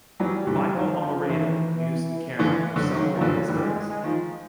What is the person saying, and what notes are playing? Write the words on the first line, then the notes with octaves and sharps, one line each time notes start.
Michael Almereyda used the camera for several of his films.
E3 F#3 G3
D3 E3
D#3 F3
F3
D#3 E3
D3 E3 F3
E3
D3
F#3
D#3
F3
D3 E3
D3 E3 G3
G#3
G#3
G#3
D#3 F3